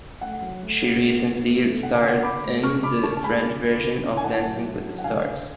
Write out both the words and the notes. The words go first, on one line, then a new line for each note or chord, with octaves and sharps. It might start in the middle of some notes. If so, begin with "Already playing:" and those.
She recently starred in the French version of "Dancing with the Stars".
A3 F#5
F#3
A3
C#3
A3
B2
A3
A3
D3 F#5
G#5
D3 F#5
D3 B5 D6
A3
G#3 C#6 F6
D3 B5 D6
D3 A5 C#6
A5
G#3 G#5 B5
D3
D3
D3
D3
G#5
A2 F#5 A5
F#3
A2
F#3
F#5
D3 F5 G#5
D3